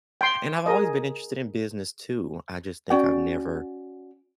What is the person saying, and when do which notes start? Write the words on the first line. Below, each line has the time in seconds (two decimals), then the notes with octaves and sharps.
And I've always been interested in business too, I just think I've never
0.21 G5 C6
0.66 G#4 A#4 D#5
2.90 C#4 F#4 D5 G5